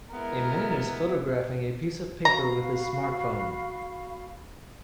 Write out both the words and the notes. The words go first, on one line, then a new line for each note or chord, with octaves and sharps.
A man is photographing a piece of paper with his smartphone.
G#3 B3 E4 A#4
F#4 F5 A#5 B5